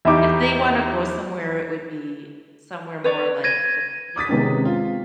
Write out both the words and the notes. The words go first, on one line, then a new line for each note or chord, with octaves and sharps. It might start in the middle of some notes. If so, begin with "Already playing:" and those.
if they wanna go somewhere, it would be somewhere more like an, you know,
E2 D#4 G4 E5 B5 D6
B4 C#5 D5
G#6 A#6 D#7
D6 D#6 A6 B6
C3 D#3 G#3 B3 C#4
C4 F4